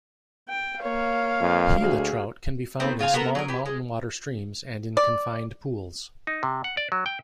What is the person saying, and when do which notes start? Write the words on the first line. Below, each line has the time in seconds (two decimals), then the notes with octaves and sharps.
Gila trout can be found in small mountain water streams, and in confined pools.
0.49 G5
0.82 A#3 C#5 F5
1.41 F2
1.80 D2 F#4 G#4
2.80 D#3 A3 B3 C4
2.99 C#3 F4 F5 G#5
3.14 B3 F#4 A4 A#4
3.35 F#3 G#4 A#4
3.48 E3 G4
3.66 G#3
4.97 D5
6.27 D#4
6.43 C3
6.64 F#5
6.77 D5
6.92 F#3
7.06 G5